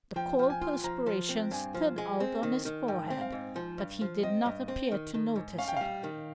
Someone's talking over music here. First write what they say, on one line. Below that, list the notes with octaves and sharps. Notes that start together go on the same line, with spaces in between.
The cold perspiration stood out on his forehead but he did not appear to notice it.
F3 G5
F3
G#5
F4
F3 A#5
F3
C4
G2 G#5
F3
G#3
C4
D#3
D#3
G#2 G5
C4
F5
G#2
F3
G2
F3
C4 D#5
G2
C4
D#3
D#3
G#2
C#4 F5
G5
G3 F5
D#3